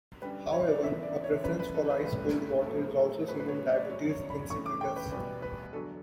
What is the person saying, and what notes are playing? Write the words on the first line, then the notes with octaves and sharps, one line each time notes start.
However, a preference for ice-cold water is also seen in diabetes insipidus.
F#2 D3 G3 B4
C#5
D5
C#3 E3 B3 E5
D5
C#5
F#2 E3 A3 B4
B4
A4
B4
A2 G3 C#4 B4
A2 F#3 B3 A4
A4
A2 F#3 C#4 B4
B4
C#5
D5
F#2 C#3 F#3 C#5
C#5
B5
A2 E3 A3 C#4 C#6
D6
G5
B4
E2 B2 G3 B3 B4
B4
E2 D3 F#3 A4